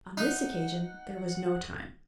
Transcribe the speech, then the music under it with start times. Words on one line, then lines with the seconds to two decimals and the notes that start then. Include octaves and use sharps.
On this occasion there was no time.
0.17 D#4 F#5